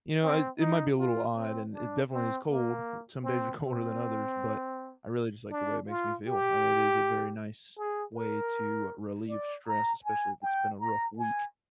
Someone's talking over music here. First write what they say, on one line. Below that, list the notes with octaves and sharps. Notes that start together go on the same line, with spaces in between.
You know, it it might be a little odd, and it definitely is cold, some days are colder than others, but I really just like the way it makes me feel, and it is a very nice way to relieve stress especially if it's been a rough week,
C4
D#4
F4
C4
D4
C4
A#3
C4
C4
D4
F4
G4
G#4
A#4
D5
A#5
G#5
G5
A#5
G#5